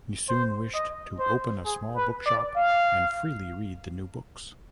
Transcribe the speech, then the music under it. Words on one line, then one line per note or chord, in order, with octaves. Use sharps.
He soon wished "to open a small bookshop and freely read the new books".
C5
D#5
C5
G#4
B4
D5
F5